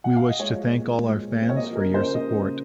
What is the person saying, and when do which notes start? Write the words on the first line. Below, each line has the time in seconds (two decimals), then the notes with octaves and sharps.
We wish to thank all our fans for your support.
0.04 F#5
0.16 F5
0.29 D#5
0.39 G#3 C#5
0.55 F3
0.69 A#2
0.83 C4
0.99 G#3
1.13 F3
1.27 A#2
1.42 C4
1.49 C#5
1.56 A#3 D#5
1.71 F3 A#4
1.86 C#3
1.94 C5
2.00 C#3
2.14 A#3 D#5
2.29 F3
2.43 C#3